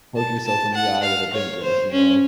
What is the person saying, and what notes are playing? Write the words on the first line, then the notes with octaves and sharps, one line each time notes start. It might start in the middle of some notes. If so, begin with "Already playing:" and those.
poke yourself in the eye with a paintbrush, you know.
A5
A5
F#5
F5
C#5
C5
C#4